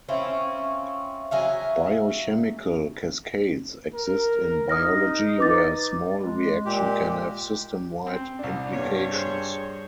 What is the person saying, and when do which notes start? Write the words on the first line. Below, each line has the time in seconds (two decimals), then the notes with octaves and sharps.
Biochemical cascades exist in biology, where a small reaction can have system-wide implications.
0.08 C4 C#4 E4 F4
1.31 F#3 G#4 E5 F5
3.94 A#4
4.69 D#4 D#6 F6 A#6
5.38 B4 D6 A6
6.18 G#3
6.65 A#2 G4
8.07 C4
8.39 C2 D4
8.72 G2 C#5
9.12 G#4 C5